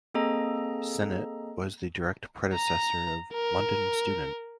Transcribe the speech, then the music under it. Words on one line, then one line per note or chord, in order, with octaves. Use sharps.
"Sennet" was the direct predecessor of "London Student".
A#3 C4 G#4 A4 D#5 A#5
A#5
A#4